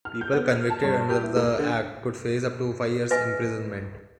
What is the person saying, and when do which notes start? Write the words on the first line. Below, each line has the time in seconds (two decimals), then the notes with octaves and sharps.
People convicted under the act could face up to five years imprisonment.
0.05 F6
0.21 G6
0.33 B3
0.52 F6
0.70 A5
0.83 G2
1.10 G4
1.23 E4
1.36 A#3
1.59 D3
3.11 B4 D#5 E5 G#5